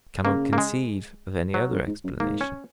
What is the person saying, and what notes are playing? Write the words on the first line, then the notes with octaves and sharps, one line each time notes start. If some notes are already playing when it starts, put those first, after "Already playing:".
I cannot conceive of any other explanation.
C#3 A#3
A#3
G#3
F#3
F#2
G#2
F#2
G#2 A#3
C#4